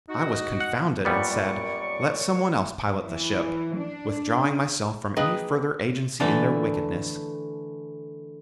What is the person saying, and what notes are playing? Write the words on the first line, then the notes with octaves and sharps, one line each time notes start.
I was confounded and said, 'Let some one else pilot the ship;' withdrawing myself from any further agency in their wickedness.
D#4 F#4
F#5
F#2 A#2 G3 B3 D5 C#6
E3
D4
A#3 D4 G#4 B4 D#5 G5
D3 E3 A3 A4